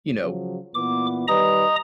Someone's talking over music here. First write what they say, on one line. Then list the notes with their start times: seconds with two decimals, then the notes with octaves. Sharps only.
you know,
0.21 C#3 F3 F#3
0.75 A#2 E3 B3 D6
1.28 D#3 G3 B4 D#5 A#5 D#6